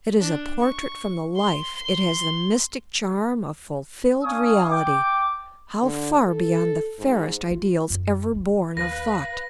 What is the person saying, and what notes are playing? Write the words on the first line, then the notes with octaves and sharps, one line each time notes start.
It is a portrait from the life--it has the mystic charm of fulfilled reality, how far beyond the fairest ideals ever born of thought!
D4
C#6
C6
C6
D4 C#5 F5 G#5 C#6 D#6
G5 D6
D3
A4
G#2
F4
F#2
D2
D#2 B4 F5 A#6